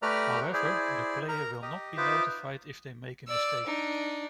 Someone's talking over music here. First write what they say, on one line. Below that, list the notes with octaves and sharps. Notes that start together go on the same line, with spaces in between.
However, the player will not be notified if they make a mistake.
A3 G4 B4 D5 A#5 F6
E4 G#4 C5 D5
A#4 A#5
G4 D#5
D#4 F4 B4 C5 E5 D6
D5 E6
D4 D#4